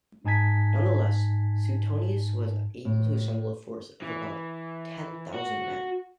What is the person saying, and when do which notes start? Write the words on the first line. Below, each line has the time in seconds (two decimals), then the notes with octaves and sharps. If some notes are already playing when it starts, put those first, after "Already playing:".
Nonetheless, Suetonius was able to assemble a force of about ten thousand men.
0.25 G#2 D#4 G#5 A5 G#6 B6
2.85 A2
4.02 E3
5.34 F#4